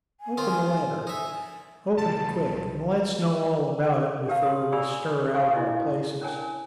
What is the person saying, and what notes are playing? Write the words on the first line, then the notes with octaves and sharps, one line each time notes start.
Open the letter--open it quick, and let's know all about it before we stir out of our places.
G#5
D#3 C4 F4
D#4 E5 G#5
C2 F#2 G3 A5
D4 G4 A#4 B4 F5 A5
C6 D#6
A4 D5 G#5 B5 C#6 E6
C#5 F5 G#5 C6 C#6 D#6
D4 E4 D#5
C#4 D4 A#4 C#5 G#5 A5